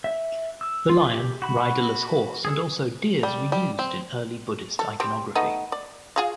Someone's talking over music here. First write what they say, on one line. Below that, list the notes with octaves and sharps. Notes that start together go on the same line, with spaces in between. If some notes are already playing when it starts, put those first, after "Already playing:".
The lion, riderless horse and also deers were also used in early Buddhist iconography.
E5
E6
F4
G4
F#4 B5
G#4 A4
G3
G3
C4
A4
G3 C4
A3 B3 D#4
D5
F4 G#4 F5